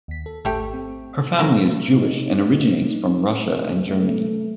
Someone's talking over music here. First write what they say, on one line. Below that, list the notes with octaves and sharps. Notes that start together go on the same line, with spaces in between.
Her family is Jewish and originates from Russia and Germany.
D#2 B6
A4
G#1 A3 G4
C4
D3 F3 G#3 C4 F#4 A#4
D#4
D#4
D2
A3